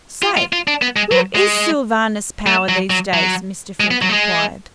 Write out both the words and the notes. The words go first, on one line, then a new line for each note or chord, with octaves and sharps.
"Say, where is Sylvanus Power these days?" Mr. Fink enquired.
F4
F4
F4
D4
B3
G#3
F#3
G#3
A3
F#3
F#3
F#3
G#3
B3
F#3
A3
G#3